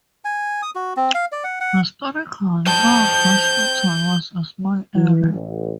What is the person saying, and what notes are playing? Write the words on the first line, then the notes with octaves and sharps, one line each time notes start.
Historically, Mount Washington was a small area.
G#5
D#6
F#4
C4
F5
D5
F#5
F#5
C5 G5 A5 G6
E3
A1